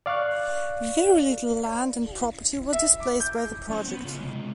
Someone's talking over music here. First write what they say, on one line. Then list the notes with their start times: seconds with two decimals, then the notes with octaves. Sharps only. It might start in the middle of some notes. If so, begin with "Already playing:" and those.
Very little land and property was displaced by the project.
0.06 D5 F5 C#6 F#6
2.73 E5
3.00 D6
3.20 G6
3.71 C#4 C5
3.88 B3
4.05 C#3 F4
4.21 C3 G#3